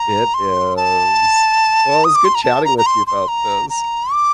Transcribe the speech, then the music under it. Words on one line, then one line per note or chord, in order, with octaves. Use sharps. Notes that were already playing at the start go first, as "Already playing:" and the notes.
It is. Well, it was good chatting with you about this.
Already playing: A#5
C6
A5
D#6
D6
C6
A#5
A5
A#5
A#5
C6
C6
A#5
A#5
D6